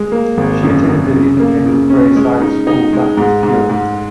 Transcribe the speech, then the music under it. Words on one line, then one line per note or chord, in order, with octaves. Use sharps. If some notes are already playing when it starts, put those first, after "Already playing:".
She attended the independent Braeside School, Buckhurst Hill.
Already playing: G#3
A#3
G#1
F#2
F#2
C#3
A#3
C#3
C#4
G#3
D#4
D#4
G#3
G#2
G#2
G#2